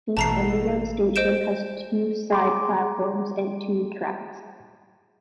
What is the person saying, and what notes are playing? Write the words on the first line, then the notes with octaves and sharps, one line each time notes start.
This underground station has two side platforms and two tracks.
A1 B2 E3 A3 A5 A#5 C7
C5 D#5 G6 D7 E7
G#4 C6 D6